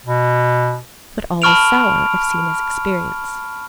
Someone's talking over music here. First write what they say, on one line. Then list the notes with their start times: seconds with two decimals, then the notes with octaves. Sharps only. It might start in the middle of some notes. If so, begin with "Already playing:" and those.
But all is sour, if seen as experience.
0.06 B2
1.42 A5 B5 C#6 F6 D7 F7